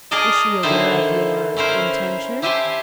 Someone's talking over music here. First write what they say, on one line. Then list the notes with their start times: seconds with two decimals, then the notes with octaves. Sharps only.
"Is she aware of your--intention?"
0.11 G#4 A#4 D5 D#5 A5
0.63 D3 D#3 E4 C5 A5
1.56 C#4 E4 A#4 C5
2.42 E4 G4 E5 G#5 A5 C6